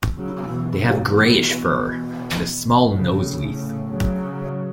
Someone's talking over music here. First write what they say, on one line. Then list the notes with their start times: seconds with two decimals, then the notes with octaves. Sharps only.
They have greyish fur, and a small nose-leaf.
0.17 C#3 F#3
0.48 B2 E3
0.79 C#3 F#3
1.10 B2 E3
2.95 A2 C#3
3.42 A2 C#3
3.88 C#3 F#3